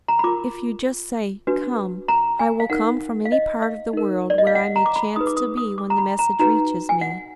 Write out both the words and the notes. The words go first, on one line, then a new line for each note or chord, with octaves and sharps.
If you just say: "COME," I will come from any part of the world where I may chance to be when the message reaches me.
A#5
B5
F4 A#4 D6
D4 F#4 B4
A#5
G#5
F5
D#4 A#4 F#5
F5
D#5
F5
D#4 A#4
D5
D#5
F5
F#5
A#5
D6
B5
D#4 G#4 B4 D#6
D6
D#6
D#6
D6
A#5
B5
A#5
D#4 F#4 B4 A#5
G#5
F#5